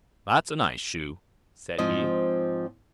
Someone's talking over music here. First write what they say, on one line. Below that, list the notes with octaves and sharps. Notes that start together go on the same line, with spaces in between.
'That's a nice shoe', said he.
G#2 F3 C4 C5 D#5